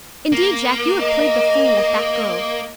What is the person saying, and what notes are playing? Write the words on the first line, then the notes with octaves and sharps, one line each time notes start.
Indeed, Jack, you have played the fool with that girl.
A#3
D#5